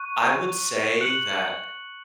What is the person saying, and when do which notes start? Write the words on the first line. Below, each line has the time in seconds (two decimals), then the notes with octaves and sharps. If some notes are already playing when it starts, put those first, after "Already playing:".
I would say that
Already playing: C#6 F#6 D#7
1.01 F#6 C#7 F#7